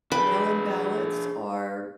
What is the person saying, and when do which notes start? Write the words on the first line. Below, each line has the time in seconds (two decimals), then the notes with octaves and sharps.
mail-in ballots are
0.12 D4 G#4 B4 G5 B5